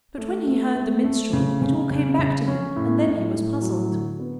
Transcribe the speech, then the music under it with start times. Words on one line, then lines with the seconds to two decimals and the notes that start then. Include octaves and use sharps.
But when he heard the minstrel it all came back to him; and then he was puzzled.
0.18 A3
0.47 A3
0.75 A3
1.04 A3
1.33 C#3
1.62 C#3
1.90 C#3
2.19 C#3
2.48 C#4
2.76 A2
3.05 A2
3.33 A2
3.62 F#3
3.91 D3
4.19 B3